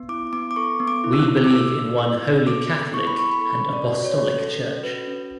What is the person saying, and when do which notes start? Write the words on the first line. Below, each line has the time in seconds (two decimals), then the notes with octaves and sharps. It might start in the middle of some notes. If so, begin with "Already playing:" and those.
We believe in one holy catholic and apostolic Church.
Already playing: B3
0.09 E4 D6
0.33 B3 D6
0.51 D6
0.56 A4 C#6
0.80 B3
0.88 D6
1.04 E4
1.13 E6
1.19 F#6
1.28 B3
1.44 D6
1.51 A4 E6
1.75 B3
1.98 E4 E6
2.23 B3
2.46 A4 D6
2.70 B3
2.94 E4 C#6
3.07 B5
3.18 B3 C#6
3.32 B5
3.41 A4 C#6
3.65 C#4
3.73 D5
3.89 F#4
4.04 C#5
4.13 C#4
4.36 A4
4.60 C#4
4.83 F#4 B4
5.08 C#4